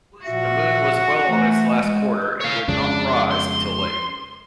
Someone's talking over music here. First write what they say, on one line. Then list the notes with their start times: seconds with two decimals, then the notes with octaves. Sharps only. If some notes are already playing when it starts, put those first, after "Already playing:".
The moon was well on its last quarter and would not rise till late.
0.25 A#2 F3 F#4 E5
1.28 E3 A3
1.81 G#3
2.40 C#5 F5
2.68 F2 C#3 G#3 D4
3.31 C6